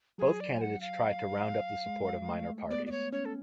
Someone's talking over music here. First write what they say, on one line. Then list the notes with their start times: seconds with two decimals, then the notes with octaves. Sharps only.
Both candidates tried to round up the support of minor parties.
0.18 F#3 G#4
0.40 D5
0.56 G#5
0.61 F#5
0.81 F5
1.86 G#3
2.29 A3
2.70 B3 D5
2.86 D5
2.91 C#5
3.13 C#4 C#5
3.25 A4